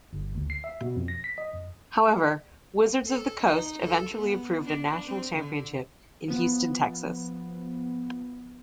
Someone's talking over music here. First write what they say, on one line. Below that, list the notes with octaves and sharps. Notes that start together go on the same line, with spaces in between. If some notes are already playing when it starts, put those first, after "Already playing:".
However, Wizards of the Coast eventually approved a national championship in Houston, Texas.
G1
D2
C7
E5
B2
F2
A#6
B6
D#5
F2
A4
D#4
A4
B3
D4
C4
D3
F3 B3